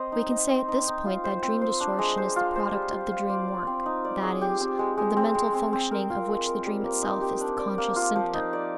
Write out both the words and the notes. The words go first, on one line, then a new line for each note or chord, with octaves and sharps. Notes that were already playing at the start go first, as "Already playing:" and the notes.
We can say at this point that dream distortion is the product of the dream work, that is, of the mental functioning of which the dream itself is the conscious symptom.
Already playing: C4 C5 D#5
D#4
D#5
C4
D#4
D#4
F4
C5
C4
C5
D4
G#3
C5
F4
C5
G3
F4
F4
D5
D5
C4
D#4
D5
G#4
G4
C4
G#3
G#3
C4
G#3
C4
C4
A#4
F4
G#3
A#4
G3
A#3
D#4
G4
D4
D5
A#3
F4
F3
D#4
D5